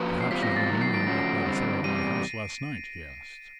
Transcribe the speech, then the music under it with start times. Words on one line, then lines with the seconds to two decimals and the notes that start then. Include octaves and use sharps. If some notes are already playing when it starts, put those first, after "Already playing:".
"Perhaps you've been reading about that affair at my house last night?" he asked.
Already playing: F3 A#3 C#4 F#4 B4
0.21 C7
0.30 E2 B2 G3 C4 F4 B6
0.43 A#6
0.56 A6
0.68 F#2 D#3 F#3 A#3 B6
0.81 C7
0.94 D7
1.07 C#3 F3 A3 C#4 F#4 A6
1.45 D3 G3 C4
1.84 E2 C3 G3 D#7